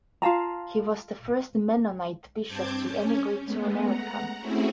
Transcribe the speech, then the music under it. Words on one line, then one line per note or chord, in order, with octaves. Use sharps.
He was the first Mennonite bishop to emigrate to America.
F4 F5 A5 A#5
G2 C4 A5 D6 G6 G#6
C#4
G#3 A3 B3
F#5 A#5
A3 C4 C#4 E4 F#4 G#4